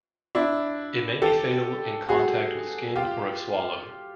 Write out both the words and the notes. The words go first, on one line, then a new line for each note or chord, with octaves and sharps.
It may be fatal in contact with skin or if swallowed.
D4 E4
G4 A4
F#4 G#4
F4 G4